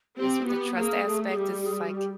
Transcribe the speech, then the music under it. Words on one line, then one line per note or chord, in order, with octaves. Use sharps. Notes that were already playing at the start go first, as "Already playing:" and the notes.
it's with the trust aspect, it's like
C4 G4
F#4
B3 G4
A#3 G#4
A3
G#4
G3 G4
G4
G#4
F#4
G4